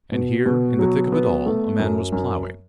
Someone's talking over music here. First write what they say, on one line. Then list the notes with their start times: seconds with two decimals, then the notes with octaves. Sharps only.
And here, in the thick of it all, a man was ploughing.
0.12 B2
0.46 B2
0.79 F#3
1.12 B3
1.46 A3
1.79 F#2
2.12 F#2